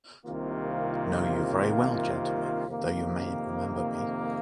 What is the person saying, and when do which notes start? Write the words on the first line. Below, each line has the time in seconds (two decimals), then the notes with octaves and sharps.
Know you very well, gentlemen, though you mayn’t remember me.
0.25 C2 C3 D#3 A#3 F4
2.68 F2 C3 D#3 A#3